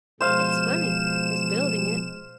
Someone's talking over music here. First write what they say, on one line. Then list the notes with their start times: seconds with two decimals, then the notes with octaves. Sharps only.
"It's funny--his building it."
0.21 B2 F3 G#3 C5 F5 E7